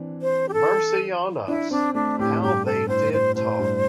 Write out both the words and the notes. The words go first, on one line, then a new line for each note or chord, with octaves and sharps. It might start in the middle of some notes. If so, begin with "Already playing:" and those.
Mercy on us, how they did talk!
Already playing: E3 C4 D4
C5
G4
A4
D4 E4
C4 D4
A3 D4
A2 G4
G2 G4
A4
A2 C5
C5
A2 C5
G2